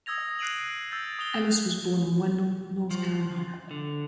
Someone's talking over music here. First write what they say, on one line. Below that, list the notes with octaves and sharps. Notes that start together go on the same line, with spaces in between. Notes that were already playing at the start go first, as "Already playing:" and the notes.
Ellis was born in Wendell, North Carolina.
D#6 E6 G#6 A#6 F7
F#6 C7 D7 D#7 F7 F#7
E6 G6 A6
D#6 F7 G7
F3
D3